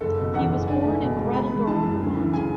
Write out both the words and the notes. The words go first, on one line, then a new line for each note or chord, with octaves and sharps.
He was born in Brattleboro, Vermont.
F#1 A4
B2
E2 F#5
F#1
D4 G#5
A3
B2
C#2
B3 B5
G#3
E3 A5
F#2
D2
E3
C#3 G#5